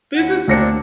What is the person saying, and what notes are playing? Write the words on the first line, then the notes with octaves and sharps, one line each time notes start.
This is
D#2 F#5
D2 A#3 C4 D4 A#6 C#7